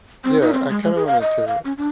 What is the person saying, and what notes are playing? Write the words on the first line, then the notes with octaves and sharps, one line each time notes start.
Yeah, I kinda wanted to
C4
D#4
C4
G#3
G#3
G#4
F5
D#5
F5
C#4
D4